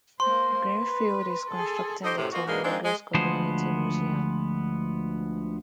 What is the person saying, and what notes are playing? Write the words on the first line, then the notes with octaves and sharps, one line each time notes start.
Greenfield is constructing the Tom Rogers Community Museum.
A#3 C5 C6
B4
G#4 A4
D#4 G4 A4 C5 D#5
F#2 A2 C3
A#3 B3 D#4 F4 F#4
G#2 B2 D3 G#3 A#3 A#4
D#3 G#3 A#3 C4 D4 D#4
G#3
D2 F3 G#3 B3 C5